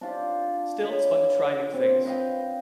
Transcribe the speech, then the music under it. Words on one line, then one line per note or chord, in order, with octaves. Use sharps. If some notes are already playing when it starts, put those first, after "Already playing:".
still, it's fun to try new things.
D4 F4 G4
D4 C#5 B5
C4
B4 D#5 F5 G5